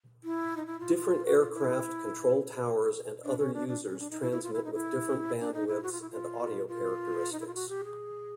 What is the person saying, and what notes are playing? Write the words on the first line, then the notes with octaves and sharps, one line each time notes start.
Different aircraft, control towers and other users transmit with different bandwidths and audio characteristics.
E4
D#4
E4
F4
F4
F#4
F4
E4
D4
C#4
D4
D4
C#4
D4
D#4
E4
E4
F4
E4
D#4
E4
D4
D#4
E4
F#4
F4
E4
F4
F4
D#4
E4
F4
F#4
G4
G#4